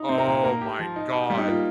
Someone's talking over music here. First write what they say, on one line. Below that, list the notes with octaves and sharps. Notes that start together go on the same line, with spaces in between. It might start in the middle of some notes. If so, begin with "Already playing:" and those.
Oh, my god.
Already playing: D#4
C4
A#4
A#2
A#3 A#4
G4
F3
D#4
G4
G3
D#4
A#3 F4